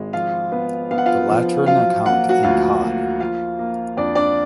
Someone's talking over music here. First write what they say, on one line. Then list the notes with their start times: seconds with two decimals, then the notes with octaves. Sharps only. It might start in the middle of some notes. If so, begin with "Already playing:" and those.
The Lateran account in Cod.
Already playing: G#1 G#3
0.13 F3 F4 F5
0.52 B3
0.91 B3 F5
0.98 F#5
1.06 F4 F5
1.29 F3
1.66 F#3 F4 F5
2.05 A#3 F#5
2.29 F#4 F#5
2.43 D2 F4 F5
2.82 A#3
3.20 F3 F4 F5
3.59 A#3
3.97 F2 D4 D5
4.15 D4 D5